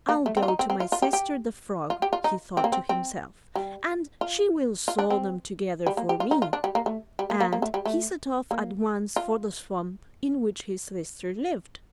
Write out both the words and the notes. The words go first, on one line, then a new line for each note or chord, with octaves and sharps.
'I'll go to my sister the frog,' he thought to himself, 'and she will sew them together for me'; and he set off at once for the swamp in which his sister lived.
A#3
A3
C4
F4
D#4
C4
C4
F4
F4
G4
G4
F4
G4
F4
D#4
C4
A#3
C4
C4
G3
F4
F4
D4
C4
G3
A#3
G4
F4
D#4
F4
D4
G3
A#3
A3
G3
A#3
A#3
A#3
A3
G3
A3
A#3
F4